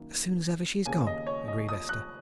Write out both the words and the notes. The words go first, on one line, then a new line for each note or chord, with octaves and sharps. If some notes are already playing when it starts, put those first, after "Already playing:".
"As soon as ever she's gone," agreed Esther.
Already playing: F#2 D#3 A#3
D#2 C#3 A#3 G#5
D#5
C#5
D#5
D#6
F#6